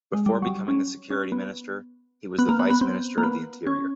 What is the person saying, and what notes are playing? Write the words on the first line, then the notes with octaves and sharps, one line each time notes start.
Before becoming the security minister, he was the vice minister of the interior.
G#3
G3
F#3
G3
C#4
C#4
B3
B3
A#3
B3
B3
C4
A#3
B3
C#4